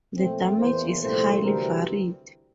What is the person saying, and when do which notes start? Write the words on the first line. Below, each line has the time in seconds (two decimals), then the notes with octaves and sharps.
The damage is highly varied.
0.17 A#2 F3 A3 C4
0.59 E2 E3 A#3 C5
1.01 C2 A#2 F3 A3 C4 C5
1.42 D2 C3 E3 G3 C4 A#4